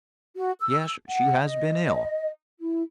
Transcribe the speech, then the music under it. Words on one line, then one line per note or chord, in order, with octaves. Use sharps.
"Yes, she has been ill."
F#4
E6
F#5
D#5
E4